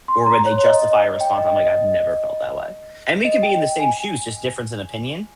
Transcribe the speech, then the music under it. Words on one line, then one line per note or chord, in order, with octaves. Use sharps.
or when they justify a response, I'm like, I've never felt that way, and we could be in the same shoes, just difference in opinion,
C6
A#5
C#5
D#5
D#5
G5
D#5
D#5
D#5
G5
G#5